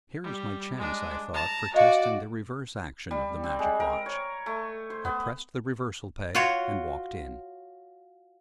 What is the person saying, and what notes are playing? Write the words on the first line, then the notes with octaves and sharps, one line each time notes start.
"Here is my chance," I thought, "for testing the reverse action of the Magic Watch!" I pressed the 'reversal-peg' and walked in.
G3
G#3 D4
A5 A#5
F#4 D5 D#5 F5 C#7
G3
C4
G#3
A#4
C#5
A3
C5
B3
F4 F#4 C#5